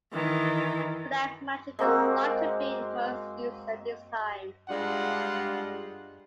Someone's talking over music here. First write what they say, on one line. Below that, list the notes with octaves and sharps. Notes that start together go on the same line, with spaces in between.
Black magic is thought to be most used at this time.
D#3 E3
G#3 A#3 C4 F#4
G2 G3 G#3 D4 F4 F#5